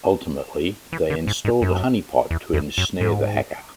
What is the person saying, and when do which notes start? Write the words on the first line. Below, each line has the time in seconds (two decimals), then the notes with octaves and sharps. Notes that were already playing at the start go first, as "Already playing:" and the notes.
Ultimately, they installed a honeypot to ensnare the hacker.
0.92 E3
1.10 D3
1.27 G#2
1.45 G#2
1.62 F#2
2.31 E2
2.53 E2
2.78 F#2
3.01 G#2